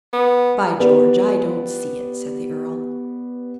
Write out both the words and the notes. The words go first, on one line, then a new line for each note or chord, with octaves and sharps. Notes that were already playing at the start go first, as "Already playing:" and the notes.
"By George, I don't see it," said the earl.
B3
B3 G4 B4 D5